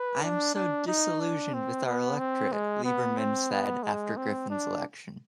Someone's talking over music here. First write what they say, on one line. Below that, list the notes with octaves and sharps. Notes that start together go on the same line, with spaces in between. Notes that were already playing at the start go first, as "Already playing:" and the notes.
"I am so disillusioned with our electorate," Lieberman said after Griffin's election.
Already playing: B4
D4
D4
D#4
D4
C4
B3
C4
G#3
B3
C4
B3
G#3
C4
D4